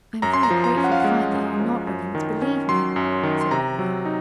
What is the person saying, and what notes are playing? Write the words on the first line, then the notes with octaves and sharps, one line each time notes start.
"I am very grateful to find that you are not brigands, believe me," said Beverly.
F#2 A#5
C6
A#5
F3
A#5
C#4
F#5
F5
G#3 F#5
F#2
F3
F#2
D#3
C#4
F#3 C6
F#2
D#3
C6
C3 A#5
F#3
D#4